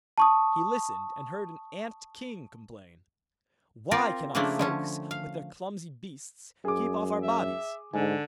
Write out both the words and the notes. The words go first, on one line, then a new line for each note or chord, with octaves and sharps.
He listened, and heard an ant-king complain: 'Why cannot folks, with their clumsy beasts, keep off our bodies?
A5 C#6 D#6
C4 F4 A#4 D5 F5
C#3 F3 A3 A#3 D4 E4
D3 F3 C#4
F5
F#2 G#4 D6
E5
G#2 D3 G#5